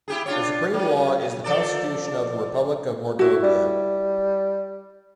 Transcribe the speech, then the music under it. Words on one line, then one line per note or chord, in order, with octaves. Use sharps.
The supreme law is the Constitution of the Republic of Mordovia.
E4 G4 G#4
D4 F4 C#5
F#3
F3 A4 D5
E4 F#4
G3